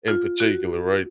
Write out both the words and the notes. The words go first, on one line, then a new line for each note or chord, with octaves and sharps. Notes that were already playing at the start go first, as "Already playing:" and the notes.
in particular, right?
F4
F#4